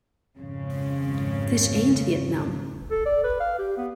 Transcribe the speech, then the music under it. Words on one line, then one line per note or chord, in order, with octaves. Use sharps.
This ain't Vietnam.
G#1 F2 C#3
A4
D5
B4
F5
G4
B3